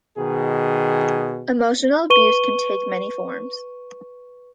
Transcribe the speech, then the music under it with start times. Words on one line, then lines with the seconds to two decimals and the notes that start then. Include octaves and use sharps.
Emotional abuse can take many forms.
0.18 B2 D#3 G#4
2.10 B4 C#6 D#7 G7